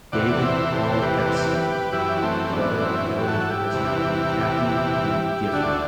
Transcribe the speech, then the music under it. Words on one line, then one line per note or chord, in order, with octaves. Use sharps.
David Paul Epstein, the brother of television personality Kathie Lee Gifford.
E2 C3 E3 D5 F#5
C5 E5
A4 C5
G4 B4
F#2 E3 E4 G4
A3 C4
B3 D4
C4 E4
G4
F#4 A4
E4 G4
E2 C3 E3
D2 D3 D4 F#4